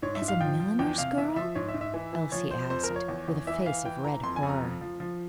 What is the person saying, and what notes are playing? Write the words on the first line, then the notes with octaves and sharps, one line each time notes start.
'As a milliner's girl?' Elsie asked, with a face of red horror.
G#2 C#5
E5
G#2
F5
F3 G5
F3
E2 G5
C3 F5
E2 E5
F3 E5
G#2 C#5
E5
G#2
E5
E3
E3
F3 C#5
F3 C5
F2 C5
A#4
F3
C#5
E2
E2
E3 E5
E3 F5
E3 G5
E3 A#5
F2 C6
G#5
F2
A#5
F3
F3
F3